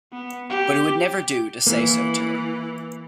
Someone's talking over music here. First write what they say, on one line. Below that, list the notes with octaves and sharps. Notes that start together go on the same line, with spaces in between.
But it would never do to say so to her.
B3
G4
E3 A#3